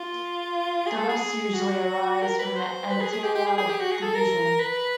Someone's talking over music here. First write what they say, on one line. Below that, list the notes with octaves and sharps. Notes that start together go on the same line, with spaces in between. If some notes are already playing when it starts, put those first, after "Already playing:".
The rest usually arise from the anterior division.
Already playing: F4
G#4
A4
G#4
F#4
A#4
B4
C5
B4
G#4
G#4
G4
G4
G#4
G#4
G4
F#4
G#4
A4
A#4
B4